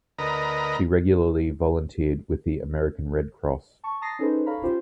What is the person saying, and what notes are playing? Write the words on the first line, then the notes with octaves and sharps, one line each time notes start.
She regularly volunteered with the American Red Cross.
D2 A#4 B4 D#5 A#5
A5 C#6
A5 A#5 D#6 A6 A#6 C7
C#4 D#4 G#4 A4 B4 C5
A4 C#5 F5 A#5 B5
C#4 F4 G4 C5